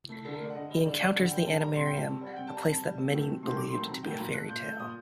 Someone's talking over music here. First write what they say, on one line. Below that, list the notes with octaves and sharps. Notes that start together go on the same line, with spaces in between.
He encounters the Animarium, a place that many believed to be a fairy tale.
A3
D3 A4
A#4
A3 D5
F#5
D3 D#5
G3 D#5
D3 D5
G3 D5
D3 F#5
G3 G5
D3 A5
G3 A#5
C3 C6
G5
G3
A5
C3
G3
F#5
C3 G5
A5
G3
A#5
C3 A5
G3
C3
D#3 F#3 A3
C3
D#3 F#3 A3 C6
C3 D6
C6
D#3 F#3 A3
C3 A#5
D#3 F#3 A3 G5
A#2 A#5
A3 F#6
A#2 G6
A3 G6
A#2 D#6